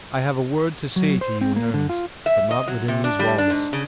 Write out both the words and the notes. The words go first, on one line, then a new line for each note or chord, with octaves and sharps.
I have a word to say to you in earnest, but not within these walls.
F#3
C5
C4
A#3
D3
F4
E5
D#5
F#3
C3
D4
G3
D4
G#2
C#3